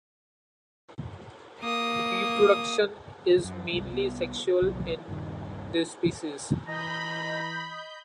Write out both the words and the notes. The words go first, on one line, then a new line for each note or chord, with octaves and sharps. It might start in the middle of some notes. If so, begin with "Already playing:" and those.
Reproduction is mainly sexual in this species.
A#3 D#6
F#2
G1 C#2 C3 G3
C2 B3
D#1 B1 C#3 F#3
D#1 G2 C3 D#3
E3 D#5 A#5 B5 G6